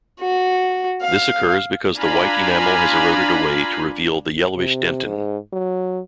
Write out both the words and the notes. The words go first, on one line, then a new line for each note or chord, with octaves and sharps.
This occurs because the white enamel has eroded away to reveal the yellowish dentin.
F#4
F5
D4 F4 F5 G#5 A#5 B5
C3
G#2
F#3